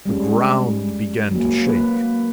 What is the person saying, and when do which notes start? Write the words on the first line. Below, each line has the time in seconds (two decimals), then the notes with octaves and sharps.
The ground began to shake.
0.06 G3 G#3 C#4
1.31 F#3 A#3
1.67 A#3 B4